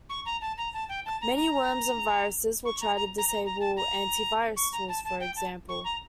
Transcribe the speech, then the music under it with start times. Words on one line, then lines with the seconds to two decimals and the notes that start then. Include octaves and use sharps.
Many worms and viruses will try to disable anti-virus tools, for example.
0.09 C#6
0.26 A#5
0.41 A5
0.58 A#5
0.74 A5
0.89 G5
1.06 A5
1.21 A#5
1.37 A#5
2.65 C#6
2.81 A#5
2.97 A#5
3.18 A#5
3.29 A#5
3.45 A#5
3.60 A5
3.77 A#5
4.56 C#6
4.73 A#5
4.89 A5
5.04 A5
5.20 G5
5.36 A5
5.69 C#6
5.84 A#5